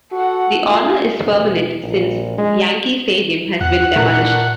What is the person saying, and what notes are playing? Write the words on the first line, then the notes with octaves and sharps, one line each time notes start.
The honor is permanent since Yankee Stadium has been demolished.
F#4 A4 F#5
A3 F4 G#4
E1
A#1
G#3
E2 F#5
A#2 A3 D4 A#4